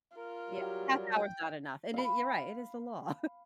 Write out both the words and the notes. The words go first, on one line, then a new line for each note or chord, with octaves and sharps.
Yeah, a half hour is not enough and it you're right it is the law.
F4 A#4
F#3 G3
G5
F5 B5